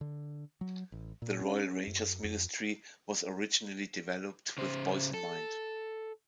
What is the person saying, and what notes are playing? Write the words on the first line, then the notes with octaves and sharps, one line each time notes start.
The Royal Rangers ministry was originally developed with boys in mind.
D3
F#3
A1
A#2
C#4
F#2
F2
C#3 C5
A4